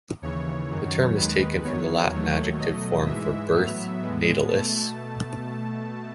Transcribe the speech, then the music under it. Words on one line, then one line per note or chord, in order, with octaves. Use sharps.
The term is taken from the Latin adjective form for "birth", "natalis".
D#2 C#3 E3 C#5
F#2 D#3 F#3
D#2 D#3 G#3 B4
E2 D#3 F#3 B3 C#5
D#2 D#3 F#3 A3 C#5
B2 F#3 A3 D#5
G#2 E3 G#3 E5
A2 F#3 B3
A2 G#3 B3
B2 A3 A5